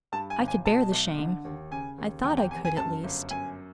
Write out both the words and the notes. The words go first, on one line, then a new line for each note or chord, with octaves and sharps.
I could bear the shame--I thought I could at least.
G2 A5
G#5
G1
G#5
B2 A5
B1
D3
D#2
C#3 G#5
D#2
E2 G5
G5
F1 G#5
G#5
F#2 A5
G1
F#2 G#5